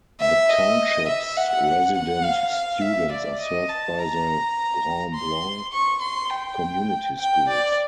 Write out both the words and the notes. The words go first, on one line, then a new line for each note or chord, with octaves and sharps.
The Township's resident students are served by the Grand Blanc Community Schools.
E5
D#5
E5
F#5
F#5
F5
F5
E5
D5
D#5
A5
A#5
C6
C#6
C6
G5
G5
D5